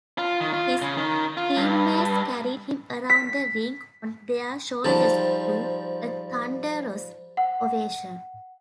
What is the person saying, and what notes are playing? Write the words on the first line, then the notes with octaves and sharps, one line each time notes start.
His teammates carried him around the rink on their shoulders to a thunderous ovation.
F4
D#3
F4
C#3
D#3
F4
G2
B6
G#2 F3 G3 A5
F#5